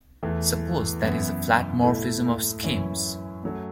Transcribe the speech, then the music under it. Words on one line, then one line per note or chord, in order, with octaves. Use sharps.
Suppose that is a flat morphism of schemes.
E2 E3 A3
F#2 E3 B3 E4
A2 A3 E4
F#2 E3 C#4 E4
F#2 F#3 A3